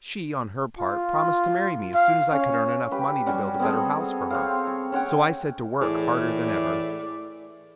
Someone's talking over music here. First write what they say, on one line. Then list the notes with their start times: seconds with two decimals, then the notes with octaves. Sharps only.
She, on her part, promised to marry me as soon as I could earn enough money to build a better house for her; so I set to work harder than ever.
0.79 F4
1.94 F5
2.33 C#4
2.91 G4 B4
3.26 G3 C#4 F#4
3.59 B3 C4 G#4 A4
4.30 C4 C#5 F5
4.67 C#6
4.92 C#4 C#5 F#5 G5
5.81 A2 E3 G#4 D5